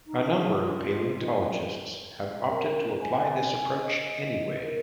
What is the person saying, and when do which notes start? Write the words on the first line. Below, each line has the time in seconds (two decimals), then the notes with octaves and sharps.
A number of paleontologists have opted to apply this approach anyway.
0.07 D#4
0.28 G#4
0.57 F4
1.19 D#3
2.50 A#4
3.01 G#5
3.74 D#5
4.24 D#5
4.62 A#4